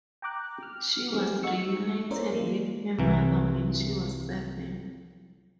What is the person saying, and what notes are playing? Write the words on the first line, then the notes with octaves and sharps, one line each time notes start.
She was reunited with her mother when she was seven.
G5 A#5 D6 F#6
F6
F3 A3 C4 D#4 G4 G#4
D#4 F#5 C#6 E6 C#7
A#3 C#4 E4 A#4 C5 D5
E3 G3 G#3 A#3
C2 E3